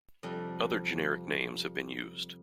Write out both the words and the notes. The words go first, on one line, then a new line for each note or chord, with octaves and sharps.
Other generic names have been used.
F2 C3 G3